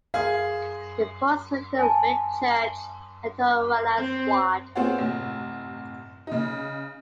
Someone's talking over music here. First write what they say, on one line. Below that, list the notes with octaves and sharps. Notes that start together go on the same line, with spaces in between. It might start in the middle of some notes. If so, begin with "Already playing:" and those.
It falls within the Whitchurch and Tongwynlais ward.
G#4 F5 G#6
G#5 A5
C4
B3 C4 F4 G#4 C#5 F#5
A1 C3
C#3 D#4